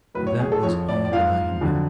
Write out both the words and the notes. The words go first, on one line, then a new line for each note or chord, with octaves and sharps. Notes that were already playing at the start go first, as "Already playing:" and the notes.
For that was all that I had been.
A2 F#3 B4
C#5
G#4
A4
F2 F3 C#5
D5
D5
G#2 F3 F5
F2 D3 F#3